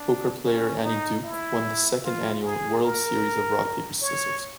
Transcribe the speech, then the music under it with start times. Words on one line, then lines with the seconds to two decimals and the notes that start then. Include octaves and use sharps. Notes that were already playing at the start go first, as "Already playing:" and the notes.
Poker player Annie Duke won the Second Annual World Series of Rock Paper Scissors.
Already playing: D4
0.44 C#4
0.84 D#4
1.23 E4
2.04 F4
2.43 G#4
2.83 A#4
4.02 C#5